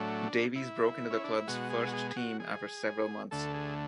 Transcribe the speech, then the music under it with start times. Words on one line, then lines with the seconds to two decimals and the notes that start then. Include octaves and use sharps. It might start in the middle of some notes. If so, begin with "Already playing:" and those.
Davies broke into the club's first team after several months.
Already playing: A2 F#3 A3 D4
0.56 E4
1.11 C#4
1.24 D4
1.36 E4
1.48 B2 G#3 F#4
1.70 G#4
1.87 F#4
1.93 G#4
2.11 G#4
2.16 F#4
2.40 G#4
3.31 D2 D3 A3 A4
3.54 G#4